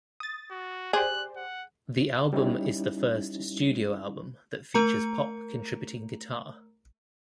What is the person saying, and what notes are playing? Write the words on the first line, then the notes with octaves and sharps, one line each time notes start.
The album is the first studio album that features Pop contributing guitar.
D#6 A6
F#4
G4 G#4 C5 D5 F#6
F#5
G3 C#4 D#4 E4
A3 A#4 A#5 C#7